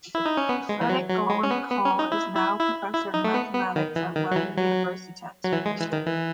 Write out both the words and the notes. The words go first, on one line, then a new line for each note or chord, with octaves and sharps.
Fredrik "Gollum" Kahl is now professor in mathematics at Lunds universitet.
E4
D#4
C#4
B3
G#3
E3
F#3
F#3
G#3
C#4
B3
B3
C#4
D#4
E4
E4
E4
E4
D#4
A3
B3
B3
D#3
E3
D#3
F#3
E3
F#3
F#3
E3
G#3
E3
D#3
E3